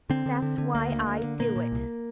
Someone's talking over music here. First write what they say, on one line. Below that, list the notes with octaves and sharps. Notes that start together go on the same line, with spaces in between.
"That's why I do it."
D3 C4
D3
D3
D3
D2 A#3
D2
D2
D3
A#2 A#3
A#2
C2